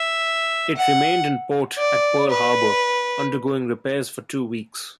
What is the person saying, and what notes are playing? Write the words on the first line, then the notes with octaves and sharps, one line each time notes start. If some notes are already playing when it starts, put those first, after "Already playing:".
It remained in port at Pearl Harbor undergoing repairs for two weeks.
Already playing: E5
F#5
D5
B4